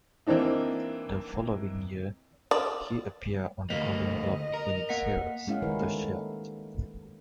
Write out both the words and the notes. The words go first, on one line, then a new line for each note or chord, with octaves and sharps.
The following year, he appeared on the Golden Globe winning series, "The Shield".
E3 A#3 C4 D4 D#4
D5
D2 A#3 D#5 B6
A#4
A#3 F#5 B6
G#3 C#4 E4 F5 F#5
D#3 G3 D#4 E4 A#4 B4
A#3 A4